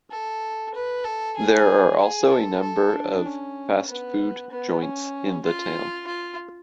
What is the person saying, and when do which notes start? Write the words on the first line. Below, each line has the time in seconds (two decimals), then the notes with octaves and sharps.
There are also a number of fast-food joints in the town.
0.11 A4
0.74 B4
1.04 A4
1.36 G#4
1.99 G#4
2.31 A4
2.62 A4
2.93 D4
3.25 C#4
3.88 B3
4.51 B3
4.82 C#4
5.44 F4
6.07 F4